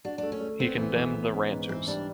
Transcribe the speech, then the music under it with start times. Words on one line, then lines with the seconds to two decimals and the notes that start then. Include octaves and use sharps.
He condemned the Ranters.
0.05 D4 F#4
0.18 D4
0.23 A3
0.32 C#4
0.41 A3
0.60 B3 C4
0.78 E3
0.96 E3
1.14 E3
1.33 C#4
1.51 G#2
1.69 E3 C4
1.88 G3 D4